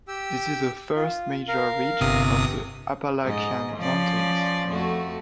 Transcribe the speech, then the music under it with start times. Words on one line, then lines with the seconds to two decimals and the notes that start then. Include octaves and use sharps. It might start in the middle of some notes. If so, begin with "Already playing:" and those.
This is the first major ridge of the Appalachian mountains.
0.08 G4 G5 E6
0.96 F4
1.48 A#4 F5
2.00 G1 C3 D#6
3.24 G#2 D#5
3.77 F3 C#4 D5
4.69 F2 A3 F#4